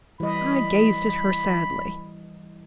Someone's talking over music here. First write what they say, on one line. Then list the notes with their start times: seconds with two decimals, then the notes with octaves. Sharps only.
I gazed at her sadly.
0.20 E3 G3 D#5 B5